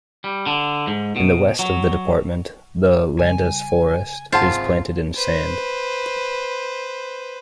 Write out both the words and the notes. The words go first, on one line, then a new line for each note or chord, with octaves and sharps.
In the west of the department, the Landes forest is planted in sand.
G3
D3
G#2
B2
F#3
C#3 G3 G#5
G#1 C#2 C3 F4 G#4 C5 F#5 A5
B4 C5